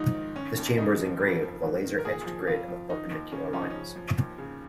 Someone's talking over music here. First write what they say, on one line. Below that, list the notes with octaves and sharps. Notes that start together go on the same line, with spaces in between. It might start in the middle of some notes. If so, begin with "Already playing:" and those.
This chamber is engraved with a laser-etched grid of perpendicular lines.
Already playing: G#2 F3 D#4
D#3
D#3 C#4
D#2
C#3 D#4
F3
F2
F3
G#2
D#3
A#4
A#2 G#4
F3
F2 F4
F3
D#3 D#4
D#2
C#3 C#4
F3 C#4
D#4
C#3 C#4
F3
D#2
C#3